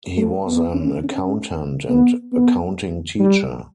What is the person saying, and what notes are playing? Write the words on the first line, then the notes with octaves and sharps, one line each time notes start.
He was an accountant and accounting teacher.
A3
B3
C#4
C#4
B3
B3
G3